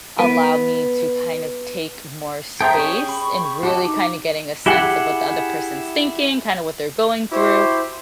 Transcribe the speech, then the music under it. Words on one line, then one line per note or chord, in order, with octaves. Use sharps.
allow me to kind of take more space and really kind of getting a sense of what the other person's thinking, kind of what they're going through.
B3 B4 D7 D#7
G#4 A4 C5 E5 G5 A#5
C#4 G4 C#5 C#6
B5
F#4 G4 D#5 A5
D#4 D6
E4 G4 G#4 F#5
E4 F#4 G4 C5